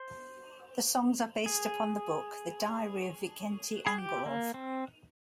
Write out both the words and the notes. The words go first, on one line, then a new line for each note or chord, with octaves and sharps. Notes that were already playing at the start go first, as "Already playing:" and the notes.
The songs are based upon the book "The Diary of Vikenty Angorov".
Already playing: C5
G#4
G#4
G4
A#3
C4